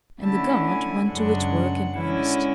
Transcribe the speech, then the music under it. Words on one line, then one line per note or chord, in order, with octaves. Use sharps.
And the Guard went to its work in earnest.
D3 A3 C#4 E4 A5
G#5
F#2 C#3 G#3 D4 F#5
D3 G#3 C#4 E4